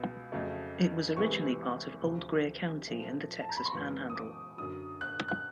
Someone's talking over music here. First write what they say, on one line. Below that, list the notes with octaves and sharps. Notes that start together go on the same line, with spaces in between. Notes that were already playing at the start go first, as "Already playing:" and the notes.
It was originally part of Old Greer County in the Texas panhandle.
Already playing: C#2 B2 B3
F2 C#3 F#3 A3
C2 C3 E3 G#3 B3 C#6
D2 C3 F3
A#2 F3 A3
A5
A#5
B5
C6
F#2 C#3 E3 G#3 B3 C#6
D#6
D6
F#2 D3 F#3 D#6
F#6
F#6